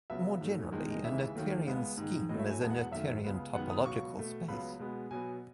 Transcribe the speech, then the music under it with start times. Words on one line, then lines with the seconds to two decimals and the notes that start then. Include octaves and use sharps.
More generally, a Noetherian scheme is a Noetherian topological space.
0.10 C#2 C#3 F#3 B3 E5
0.41 G#2 F#3 A3
0.72 E2 D#3 G#3
0.90 D#5
1.04 D#2 C#3 E3 G#3 E5
1.35 D#2 D#3 F#3 A3
1.66 C#2 C#3 G#3 B3
1.97 G#2 D#3 G#3
2.29 A2 F#3 A3 D#5
2.39 E5
2.50 G#5
2.60 E2 B2 G#3 B3 A5
2.70 F#5
2.81 F#5
2.92 F#2 D#3 A3 E5
3.24 C#2 C#3 G#3 B3
3.54 F#2 D#3 G#3 B3 F#5
3.70 D#6
3.85 C#2 B2 F#3 C#6
4.16 B2 A3
4.48 C#2 C#3 F#3 B3 B5
4.79 B2 G#3 B3
5.11 B2 F#3 B3 G#5